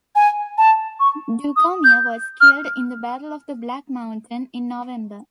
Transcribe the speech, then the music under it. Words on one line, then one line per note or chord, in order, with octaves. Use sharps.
Dugommier was killed in the Battle of the Black Mountain in November.
G#5
A5
C#6
D#6
G6
F6